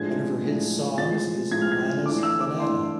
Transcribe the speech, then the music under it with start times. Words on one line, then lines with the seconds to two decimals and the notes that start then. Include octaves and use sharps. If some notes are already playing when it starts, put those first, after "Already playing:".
One of her hit songs is Nanas Banana.
Already playing: A2 F3 G#3 D4 G#6
0.44 A2 F3 G#3 D4
0.97 A2 F3 G#3 A6
1.51 A2 F3 G#3 G#6
1.61 F6
1.72 G#6
2.05 E3 A3 D4 D6
2.23 E6
2.40 D6
2.59 E3 A3 D4 C6